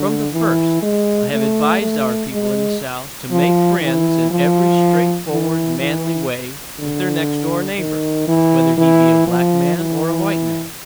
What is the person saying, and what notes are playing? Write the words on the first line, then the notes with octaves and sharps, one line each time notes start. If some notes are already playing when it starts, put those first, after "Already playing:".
From the first, I have advised our people in the South to make friends in every straightforward, manly way with their next-door neighbour, whether he be a black man or a white man.
Already playing: D3
E3
G#3
A3
A3
G#3
F3
E3
F3
E3
E3
D3
D#3
E3
E3
F3
E3